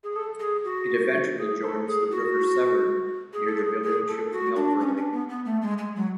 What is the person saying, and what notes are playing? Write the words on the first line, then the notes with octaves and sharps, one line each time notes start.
It eventually joins the River Severn near the village of Melverley.
G#4
A4
G#4
F#4
G#4
A4
G#4
F#4
G#4
A4
G#4
G#4
A4
F#4
D4
C#4
D4
B3
B3
A3
G#3
G#3
F#3